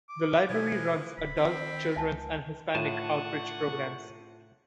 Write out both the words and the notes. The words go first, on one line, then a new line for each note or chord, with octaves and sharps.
The library runs Adult, Children's, and Hispanic Outreach programs.
D6
B2 E3 F3 G#5
D1 B5
D#3 C4
C#2 E5 G#5 A5
A2 D4 F4 F#5 G#5 A5 C#6